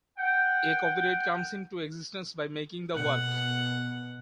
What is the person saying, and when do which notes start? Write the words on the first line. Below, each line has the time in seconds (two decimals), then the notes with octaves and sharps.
A copyright comes into existence by making the work.
0.18 F#5 G5
2.95 B2 F#5